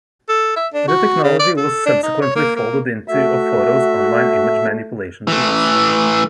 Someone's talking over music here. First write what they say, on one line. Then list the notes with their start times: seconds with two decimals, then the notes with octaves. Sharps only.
The technology was subsequently folded into Ofoto's online image manipulation tools.
0.29 A4
0.56 E5
0.74 D4
0.88 F#4
1.23 C#3
1.39 D5
1.57 A4
1.86 D4
2.03 D#4
2.22 C#5
2.35 A#3
2.56 A#3
3.08 A3 F#4 E5
5.28 E3 A3